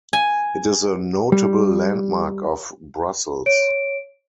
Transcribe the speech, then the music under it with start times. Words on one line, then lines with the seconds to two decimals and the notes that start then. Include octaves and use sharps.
It is a notable landmark of Brussels.
0.13 G#5
1.32 G3
3.46 C#5 D7